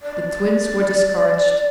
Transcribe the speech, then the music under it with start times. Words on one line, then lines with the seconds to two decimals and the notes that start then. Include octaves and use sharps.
The Twins were discouraged.
0.02 D5